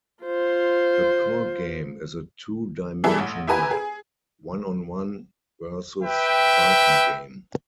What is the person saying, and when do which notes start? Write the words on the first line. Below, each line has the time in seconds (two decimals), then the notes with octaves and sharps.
The core game is a two-dimensional, one-on-one, versus fighting game.
0.23 F4 C5
3.04 B2 E3 G3 E4 G#4 A4
3.18 A1
3.47 E4 G4 B4 G#5 A#5
3.71 G#4
6.01 B4 E5 G5